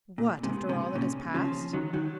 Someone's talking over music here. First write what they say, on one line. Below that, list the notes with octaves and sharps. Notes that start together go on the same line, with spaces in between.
"What, after all that has passed?"
A#2
G#2 C3
G#2 C3
A#2 C#3
C#3 F3
D#3 F#3
D#3 F#3